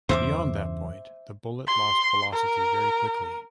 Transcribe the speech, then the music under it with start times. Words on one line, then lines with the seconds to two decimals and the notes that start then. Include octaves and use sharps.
Beyond that point, the bullet lost velocity very quickly.
0.09 E2 G2 C#3 C5 E5 D6
1.67 C6
2.33 A#4